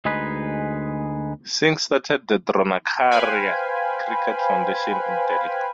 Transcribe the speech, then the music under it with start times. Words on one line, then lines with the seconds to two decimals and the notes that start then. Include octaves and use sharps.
Singh started the Dronacharya Cricket Foundation in Delhi.
0.05 D2 G#3 D#4 G#4 B4
3.11 B4 C5 F5 G5 G#5 B5